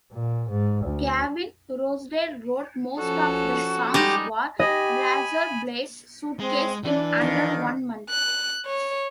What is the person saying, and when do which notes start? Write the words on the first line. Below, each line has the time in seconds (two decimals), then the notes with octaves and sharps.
Gavin Rossdale wrote most of the songs for "Razorblade Suitcase" in under one month.
0.12 A#2
0.50 G#2
0.84 D2
2.99 F3 C#4 F#4 A4
3.94 G3 G#3 D#4 G4
4.59 G4 D#5 G#5 B5
6.40 G#3 C4
6.84 E3 D4 D5
7.17 F2 D#3
8.10 F#6
8.66 C#5